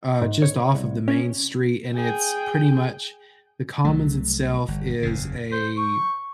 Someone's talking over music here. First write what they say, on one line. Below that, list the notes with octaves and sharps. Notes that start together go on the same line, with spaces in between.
uh, just off of the main street, and it's pretty much The Commons itself is a
G#2
C#5
C2
C#4
G#4 G5
C2 F#3 A3
G1
F#1 E2 C#3
C5
C#6